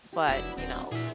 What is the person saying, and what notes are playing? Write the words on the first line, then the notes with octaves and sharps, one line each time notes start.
but, you know
G4
F1 F#3 B3 D4 E4
D#1 C4 D4
A#2 E3 G#4 E5